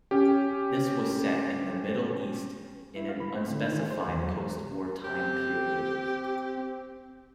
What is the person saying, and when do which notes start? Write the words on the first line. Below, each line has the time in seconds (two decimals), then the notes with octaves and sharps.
This was set in the Middle East in an unspecified post-war time period.
0.11 C#4 G4
2.96 E4
3.09 F5
3.20 B5
3.34 C4
3.50 D3
3.65 D#3
3.77 G#4
3.91 C5
4.08 E2
4.21 F#3
5.04 C4 G4